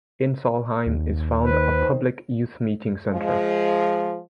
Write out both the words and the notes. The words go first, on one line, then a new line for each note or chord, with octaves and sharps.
In Saulheim is found a public youth meeting centre.
D#2
D#3 B4 C5
F3 G#3